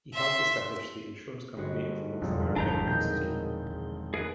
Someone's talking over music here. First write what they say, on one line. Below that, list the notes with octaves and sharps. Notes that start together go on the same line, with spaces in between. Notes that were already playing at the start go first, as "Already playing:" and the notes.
He helped to establish the Insurance Company of North America in that city.
E5 C6
G1 G#3 F#4
E1 F2 D3 F3
G1 B3 C4 D4 E4 A#5 G6
A#2 D#3 G#3 D#4 G6
G#4 A#4 B4